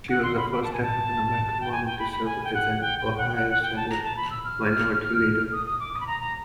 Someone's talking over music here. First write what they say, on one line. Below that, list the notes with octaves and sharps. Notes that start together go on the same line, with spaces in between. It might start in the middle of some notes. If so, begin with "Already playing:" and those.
She was the first African-American woman to serve as Ohio Senate minority leader.
F#5
C6
B5
B5
A5
G#5
A5
G5
G#5
G5
B5
B5
G#5
G5
F#5
G5
G5
F#5
G5
F#5
F#5
G5
A5
A#5
A5
B5
E6
F6
D#6
D#6
D6
D#6
B5
A#5
A#5